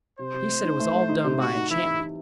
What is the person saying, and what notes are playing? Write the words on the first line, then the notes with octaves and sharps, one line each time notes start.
He said it was all done by enchantment.
C3 C5
C3
A3
D#4
A3
A3
D#4
C3
A3 F#4
D#4
E3 E4
D#4
D#4